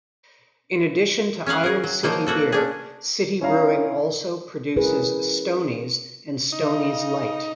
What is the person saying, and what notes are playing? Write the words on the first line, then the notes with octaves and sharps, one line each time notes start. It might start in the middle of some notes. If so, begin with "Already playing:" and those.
In addition to Iron City Beer, City Brewing also produces Stoney's and Stoney's Light.
C#4 C#5 F5 F#5
G#4 A#4
F#3
F3 F#3 A#3 D#4
F#3 A#3 F#4 A4
C#4 D4 G#4
C#4 E4 C#5 D5 F5 A#5
C#4 E4 G#4 A#4 B4
C#3 D#4